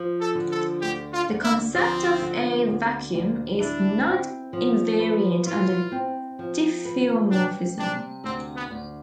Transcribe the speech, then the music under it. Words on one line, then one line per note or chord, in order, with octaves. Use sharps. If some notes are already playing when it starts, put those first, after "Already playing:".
The concept of a vacuum is not invariant under diffeomorphisms.
Already playing: F3
A4
D3
A4
D2 G4
F4
D2
E4
F3 C4
D3
D2
D2
D4 E4
C4
F3
B4
E4 F4
C4
F3
B4
G3 D4
C3 D4
D2 C4
B3
D2